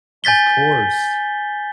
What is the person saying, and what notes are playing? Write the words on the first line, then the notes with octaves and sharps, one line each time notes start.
Of course.
G#5 G6 A6 B6 G7